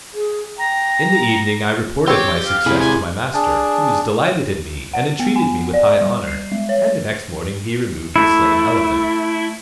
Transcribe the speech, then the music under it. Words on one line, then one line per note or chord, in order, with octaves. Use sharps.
In the evening I reported my success to my master who was delighted in me and entreated me with high honour; and next morning he removed the slain elephant.
G#4
G5 A#5
C4 G4 C#5
F5
C3 G#3 E4 G#4
G#5
D4 G#4 A5
F#5
B3
G#5
D5
G3
C7
G#3
C#5
A3 E4